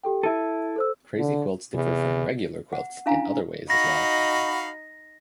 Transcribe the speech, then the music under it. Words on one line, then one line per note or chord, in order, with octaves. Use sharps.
Crazy quilts differ from "regular" quilts in other ways as well.
G4 A4 G5
E4 A4 E5 D#7
A4 C5 E6
D3
E2 C3
F#5
C#4 D4 E4 F5 G#5 A#5
D#4 F#4 F5 B5 A#6